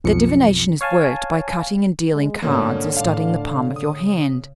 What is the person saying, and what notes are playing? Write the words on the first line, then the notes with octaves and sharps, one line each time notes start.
Their divination is worked by cutting and dealing cards or studying the palm of your hand.
B1 F2 C#7
C#5 F5 G#5 A5
G#3
G#2 B2 D3 A#3 C#4
A2 D4 F5
C#3
D#6